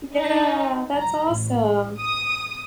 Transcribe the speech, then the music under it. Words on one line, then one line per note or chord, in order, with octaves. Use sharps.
Yeah, that's awesome.
D#4
A#5
A1
D#6